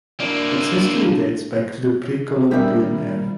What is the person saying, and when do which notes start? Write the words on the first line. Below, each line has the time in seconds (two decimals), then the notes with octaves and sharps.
Its history dates back to the pre-Columbian era.
0.20 A#3 D4 E4
2.51 D#3 F3 G3 A#3 D4 G4 G#4 E5